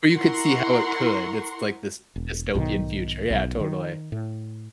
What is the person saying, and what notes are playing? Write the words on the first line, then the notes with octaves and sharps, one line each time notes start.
But you could see how it could, it's, like, this dystopian future, yeah, totally.
E4 A#4 F#5 A#5 C6 C#6
E1
B1 G#2 B2 D#3
B1
D#3
A2